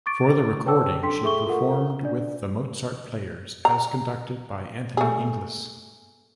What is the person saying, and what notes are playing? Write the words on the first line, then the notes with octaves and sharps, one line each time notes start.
For the recording, she performed with the Mozart Players as conducted by Anthony Inglis.
C#6 D6 A6 D7
B4 C#5 G5 A5 D6 E6
D4 A4 G5 C6 B6
G#4 A4 E5 C#6 G7
F4 A4 A#4 F#5
D4 D5
A#5
A3 G#4